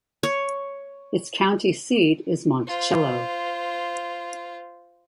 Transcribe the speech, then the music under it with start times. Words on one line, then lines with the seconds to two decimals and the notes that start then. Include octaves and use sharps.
Its county seat is Monticello.
0.23 C#5
2.67 F4 C5